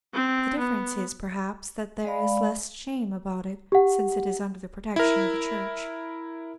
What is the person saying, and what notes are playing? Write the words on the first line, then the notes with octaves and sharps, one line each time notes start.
The difference is, perhaps, that there is less shame about it, since it is under the protection of the Church.
C4
B3
G#3 D5 F5 B5
G4 F#5
E4 A#4